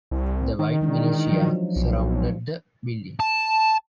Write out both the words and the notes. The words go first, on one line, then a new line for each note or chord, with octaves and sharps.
The white militia surrounded the building.
C2
D#3 D#4
E3 G#3 D4
F3 F#3
B1
A5